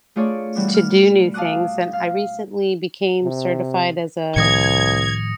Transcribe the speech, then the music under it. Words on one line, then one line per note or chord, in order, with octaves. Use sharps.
to do new things and I recently became certified as a
A3 D4 F4 G#4 C#5 D5
B2 E3 G3 B3 D4
F6
F5 A5 D6 D#6 F#6
F5
C3
C2 A2 D#3 F3 D#6 G#6 A#6 C#7